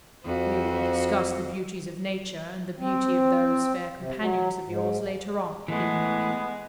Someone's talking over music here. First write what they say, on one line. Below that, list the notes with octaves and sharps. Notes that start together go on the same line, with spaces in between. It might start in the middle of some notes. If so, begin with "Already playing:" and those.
"We will discuss the beauties of nature and the beauty of those fair companions of yours later on," he remarked.
F2 F#4 C5
C4
C3
F#3
G#2
E3 G#3 A3 B3